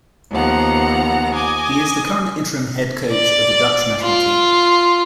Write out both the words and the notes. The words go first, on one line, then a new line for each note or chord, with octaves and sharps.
He is the current interim head coach of the Dutch national team.
D#2 F3 B3 F#5 A#5
D#5 G#5 D6
D5
F4